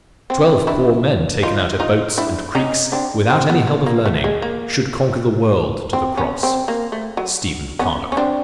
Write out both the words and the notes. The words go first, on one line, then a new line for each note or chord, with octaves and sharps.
Twelve poor men taken out of boats and creeks, without any help of learning, should conquer the world to the cross. --STEPHEN CARNOCK.
C4
D4 E4
D#4 F4
D#4 F4
D4 E4
C#4 D#4
C4 D4
C4
B3
A#3
A#3
A3
G#3
A#3
C4
B3 C#4
C4
A#3
A3
F#3
B3 C#4
C#4
C4 D4